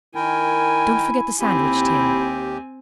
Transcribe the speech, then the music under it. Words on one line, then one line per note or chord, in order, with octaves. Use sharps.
Don't forget the sandwich-tin!
D#3 E4 A#4 G5 G#5
D#2 C4 E4 G4 G#5